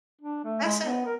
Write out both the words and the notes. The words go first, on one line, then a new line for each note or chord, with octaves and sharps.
That's it.
D4
A3
G#3
B3
A#4